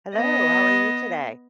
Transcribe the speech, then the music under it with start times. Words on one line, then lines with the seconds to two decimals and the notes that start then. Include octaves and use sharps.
Hello, how are you today?
0.16 B3 D#5